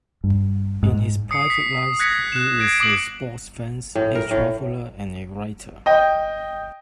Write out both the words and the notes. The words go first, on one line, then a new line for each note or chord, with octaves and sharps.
In his private life, he is a sports fan, a traveller and a writer.
G2
G#2
D#6 C7 C#7
B6
F#6 G#6 A#6 B6 C#7
F#6 E7
G#6 A#6 C7 D7
D6 D#6 A#6 C7 D7 F#7
A2
A#4
A2
D#5 G5